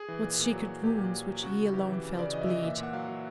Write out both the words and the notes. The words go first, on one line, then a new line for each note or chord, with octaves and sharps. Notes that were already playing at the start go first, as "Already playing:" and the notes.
What secret wounds which he alone felt bleed!
Already playing: G#4
E3
A#2
A#2
F#3
F#3
A#2 G4
A#2
F#3
F#3
C#3 F#4
C#3
E3 G4
E3
C#3
C#3 D5
E3 D#5
E5
E3 D#5
A#2 E5
A#2
F#5
F#3 F5
F#3